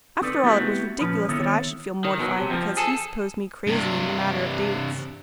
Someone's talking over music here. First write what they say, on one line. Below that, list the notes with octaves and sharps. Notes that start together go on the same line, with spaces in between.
After all it was ridiculous that I should feel mortified because he supposed me crazy in the matter of dates.
C4 D#4 A4 B4 D5
A3 B3 C4 E4 F#4 G4
A#2 F3 C#4 B4
D#3 B3 C4 E4 A4 C#5
D#3
B2 F#3
C3
F2 F3
G#4 A4
G2 C3